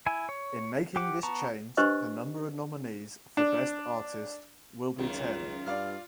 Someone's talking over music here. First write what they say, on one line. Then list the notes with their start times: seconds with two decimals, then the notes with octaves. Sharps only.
In making this change the number of nominees for Best Artist will be ten.
0.06 E4 G#5
0.29 C#5
0.96 G4 F#5 D6
1.23 B3 A5 A#5 C#6
1.77 D4 G4 B4 C5 D#5 C#6
3.37 D4
4.98 C#2 F#2 D#3 F4
5.66 G2 D5 F5 F6